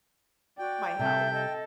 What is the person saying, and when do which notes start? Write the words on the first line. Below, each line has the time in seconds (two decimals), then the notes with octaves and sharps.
my health.
0.59 F#4 D5 G5
0.99 C3 G3 A4 E5 G6
1.33 A4 D#5